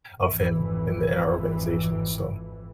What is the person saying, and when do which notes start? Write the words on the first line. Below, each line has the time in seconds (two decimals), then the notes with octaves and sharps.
of him in the in our organization, so
0.18 G#1 F2 E3